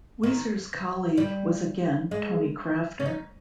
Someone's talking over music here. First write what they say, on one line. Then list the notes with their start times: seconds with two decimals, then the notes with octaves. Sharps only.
Weser's colleague was again Tony Crafter.
0.23 D#3
1.18 G3
2.11 G#3
3.00 C#4
3.06 D#4